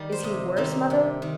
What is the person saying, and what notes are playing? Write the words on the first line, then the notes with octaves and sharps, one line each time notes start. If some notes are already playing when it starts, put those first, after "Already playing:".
"Is he worse, mother?"
Already playing: D#3 G3
C5
C3 D#5
D#3 G3 C4 D#4
C3
D#3